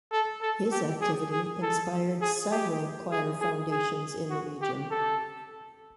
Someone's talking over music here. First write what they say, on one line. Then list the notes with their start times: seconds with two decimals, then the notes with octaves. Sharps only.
His activity inspired several choir foundations in the region.
0.12 A4
0.42 A4
0.72 G4
1.02 G#4
1.32 G#4
1.62 A4
2.22 G#4
2.52 G4
3.12 G#4
3.42 G#4
3.72 G#4
4.31 F#4
4.62 G4
4.91 A4